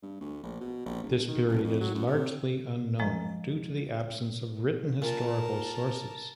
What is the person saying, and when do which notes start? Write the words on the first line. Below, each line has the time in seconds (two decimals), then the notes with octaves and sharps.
This period is largely unknown due to the absence of written historical sources.
0.02 G2
0.21 D2
0.43 A#1
0.60 B2
0.86 A#1
1.03 D1
1.28 D#3
1.48 F#1
1.64 F2
1.81 F#3
1.94 F#2
2.07 C3
2.99 F3 G#3 D#5 A#5 A6
5.02 A#2 A#4 A5